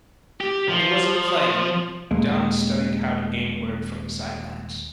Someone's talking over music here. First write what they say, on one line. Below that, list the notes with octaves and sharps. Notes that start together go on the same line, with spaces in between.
When he wasn't playing, Dunn studied how the game worked from the sidelines.
G4
F3
D#1 D#2 G#3 A#3